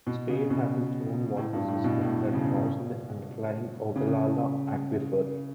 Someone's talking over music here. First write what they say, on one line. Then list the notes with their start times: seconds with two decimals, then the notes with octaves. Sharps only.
Spade has its own water system that draws on the underlying Ogallala Aquifer.
0.07 B2
0.29 C#3
0.50 B2
1.37 A2
1.53 G2
1.68 A2
1.84 B2
2.02 A2
2.33 C#3
3.96 C#3
4.07 C#3